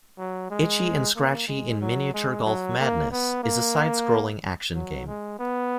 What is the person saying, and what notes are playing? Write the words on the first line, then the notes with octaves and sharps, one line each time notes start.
"Itchy and Scratchy in Miniature Golf Madness" is a side-scrolling action game.
F#3
G#3
A#3
G#3
F#3
G#3
F#3
A#3
B3
A#3
F#3
G#3
B3